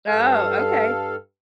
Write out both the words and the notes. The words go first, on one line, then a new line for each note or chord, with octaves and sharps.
Oh, okay.
G2 A4 F5